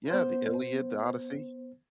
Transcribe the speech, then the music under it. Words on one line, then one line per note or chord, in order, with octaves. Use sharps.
Yeah, the Iliad, the Odyssey.
B3 C5